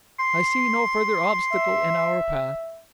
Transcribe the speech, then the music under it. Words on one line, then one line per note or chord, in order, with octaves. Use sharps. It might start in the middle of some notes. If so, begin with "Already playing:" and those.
I see no further obstacle in our path.
C6
E5